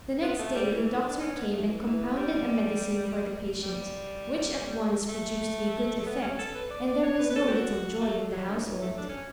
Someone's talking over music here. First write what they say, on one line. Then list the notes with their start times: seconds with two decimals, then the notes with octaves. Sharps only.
The next day the doctor came and compounded a medicine for the patient, which at once produced a good effect, and there was no little joy in the household.
0.23 B3
0.39 A3
0.55 G3
0.71 E3
0.87 E3
1.03 D4
1.20 C#4
1.36 B3
1.53 A3
1.68 E3
1.78 D3
1.86 E3
2.17 G3
3.63 G3
5.09 A3
6.00 A3
6.06 B3
6.22 C#4
6.39 A4
6.55 B4
6.71 D5
6.87 D5
7.03 C#5
7.19 B4
7.30 B4
7.36 A4
7.48 G4
7.52 F#4
8.01 A3
8.32 F#3
8.49 D3
8.65 E3
8.82 A3
8.98 D4
9.09 C#4